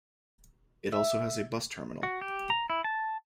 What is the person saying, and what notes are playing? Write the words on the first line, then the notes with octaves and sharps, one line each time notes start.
It also has a bus terminal.
E5
F#4
G4
A#5
E4
A5